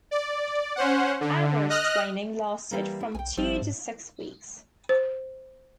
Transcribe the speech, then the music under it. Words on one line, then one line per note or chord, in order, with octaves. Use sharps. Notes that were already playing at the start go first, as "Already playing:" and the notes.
Average training lasted from two to six weeks.
D5
C#4 C5 F#5
D3
D#5 F6 F#6 A#6
E3 G3 A#3
E4
B1 G5 G#5
G#1 F3 G3 C4
G#2
C5